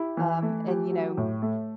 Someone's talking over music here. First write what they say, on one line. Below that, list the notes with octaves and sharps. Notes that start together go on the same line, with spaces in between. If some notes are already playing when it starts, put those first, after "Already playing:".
Um, and, you know,
Already playing: E4 G4
E3
A3
G4
F#3
A2
A3